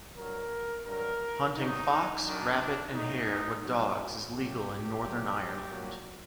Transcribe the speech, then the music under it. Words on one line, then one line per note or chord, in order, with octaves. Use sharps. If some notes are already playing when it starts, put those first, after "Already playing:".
Hunting fox, rabbit and hare with dogs is legal in Northern Ireland.
G2 F#3 A#4
G2 F#3 A#4
G2 F#3 D#4
F#2 D#3 F#3 D4
A2 F#3 D#4
G2 F#3
A2 F#3 G4
A2 F#3
A#2 F#3